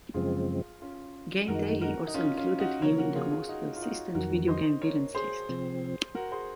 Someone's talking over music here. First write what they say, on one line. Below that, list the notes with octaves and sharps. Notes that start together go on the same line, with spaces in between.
GameDaily also included him in their most persistent video game villains list.
F#2 C#3 F3 G#3 C4 F4 G#4
C#4 F4
F#2 D#3 G#3 D#4 F#4 A#4
F#4 A#4
D#4
C#4 F4
C#4 F4
D#4 F#4
C#3 F3 A#3 A#4 C#5
F#4 A#4
F4 G#4
F4 G#4
D#4 F#4
F4
D#4 F#4
F2 D#3 F#3 F#4 A#4
C5 D#5
A#4 C#5
G#4 C5
C3 F3 C4
F#4 A#4
G#4 C5